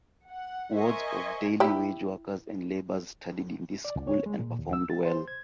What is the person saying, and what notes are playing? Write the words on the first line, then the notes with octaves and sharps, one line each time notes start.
Wards of daily wage workers and labours studied in this school and performed well.
F#5
A#4 C5 D#5 E5 G#5 C#6
E4 G4
D5
C#2
C#5
G#3
A#2
D#2
E6
A6
C5
G#6